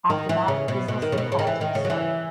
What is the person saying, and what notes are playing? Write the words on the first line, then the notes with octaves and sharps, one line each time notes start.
After that business and politics started.
D#3
E3
C#3
B2
B2
D#3
C#3
B2
C#3
D#3
E3
D#3
C#3
F#3
E3